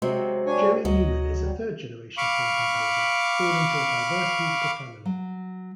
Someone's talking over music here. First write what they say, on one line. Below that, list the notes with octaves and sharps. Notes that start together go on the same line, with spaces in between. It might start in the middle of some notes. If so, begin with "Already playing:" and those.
Joey Newman is a third generation film composer born into a diverse, musical family.
C3 F#3 G#3 C4
D4 C#5 G#5
D2 F#3 D#5
G3
F5 B5 C#6 D6
F#3